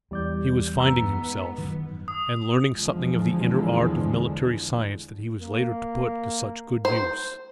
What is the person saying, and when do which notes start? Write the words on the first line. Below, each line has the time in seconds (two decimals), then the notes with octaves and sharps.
He was finding himself, and learning something of the inner art of military science that he was later to put to such good use.
0.11 E2 G3 D5 G6
0.78 G#2 B3 A#5 E6
1.58 F#2 D#3 G#3
2.08 D#6
2.73 E2 D3 F3 G#3
5.41 A#3
6.85 C5